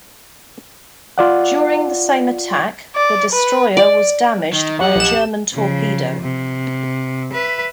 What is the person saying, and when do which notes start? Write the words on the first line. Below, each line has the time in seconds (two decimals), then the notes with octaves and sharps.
During the same attack, the destroyer was damaged by a German torpedo.
1.18 F4 D5 F#5
2.96 D5
3.33 B4
3.77 D5
4.53 D#3 D#5
4.79 F2 G4 D#5 F#5
4.96 A#1 E7
5.54 C#3 F3
6.22 C3
7.33 B4 E5